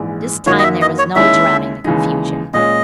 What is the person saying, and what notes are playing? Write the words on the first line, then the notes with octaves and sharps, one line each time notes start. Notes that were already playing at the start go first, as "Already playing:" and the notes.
This time there was no drowning the confusion.
Already playing: A#1 G#2 E3
F#2 D#3 A#3 D#4 F#4 C#5
D#5
E5
D#5
C#5
D#2 D#3 G#3 C#4 E4 E5
D#2 C#3 E3 G#3 D#4
A#2 G#3 C#4 D#5